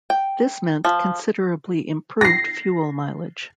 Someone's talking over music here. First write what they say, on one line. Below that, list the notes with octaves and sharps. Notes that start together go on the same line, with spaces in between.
This meant considerably improved fuel mileage.
G5
F3
A#6 C7